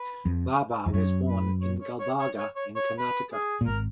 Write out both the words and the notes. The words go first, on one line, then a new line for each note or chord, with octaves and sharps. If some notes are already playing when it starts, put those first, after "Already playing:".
Babar was born in Gulbarga in Karnataka.
Already playing: B4
F2
F2
F#2 C#5
B4
C#5
C#5
C#5
C#5
C#5
C#5
C#5
B4
G#4
A#2
G#1 A#4